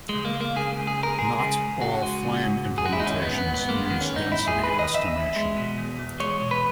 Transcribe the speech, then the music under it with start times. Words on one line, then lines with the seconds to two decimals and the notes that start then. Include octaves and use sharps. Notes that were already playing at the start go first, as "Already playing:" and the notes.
Not all Flame implementations use density estimation.
0.09 G#3
0.14 C#2
0.25 A#3
0.35 G#3
0.41 A#3
0.56 C#3 G#4
0.77 C#2
0.87 G#4
0.98 C#2
1.03 A#4
1.19 G#3 G#4
1.40 C#3
1.61 C#2
1.81 C#2 F#4
2.03 G#3
2.23 C#3
2.44 G#2
2.65 G#2
2.78 G#4
2.86 G#3 F#4
2.93 E4
3.00 D#4
3.06 D#3 C#4
3.22 B3
3.27 G#2
3.38 B3
3.49 G#2
3.54 B3
3.69 G#3 A#3
3.86 D#3 B3
4.01 C#4
4.11 G#2 D#4
4.32 G#2 E4
4.48 G#4
4.53 G#3
4.64 B4
4.73 D#3
4.79 D#5
4.94 E2 E5
5.16 E2
5.36 G#3
5.57 B2
5.78 E2
5.99 E2
6.20 G#3 C#5
6.41 B2
6.51 B4